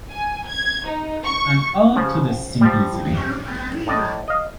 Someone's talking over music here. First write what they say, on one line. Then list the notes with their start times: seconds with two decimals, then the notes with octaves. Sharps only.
An ode to the simplicity.
0.11 G#5
0.48 G#6
0.87 D#4
1.25 C#6
1.96 C#3 F3
2.61 F3 G3
3.87 A2 D5 D#5
4.28 D#5 F5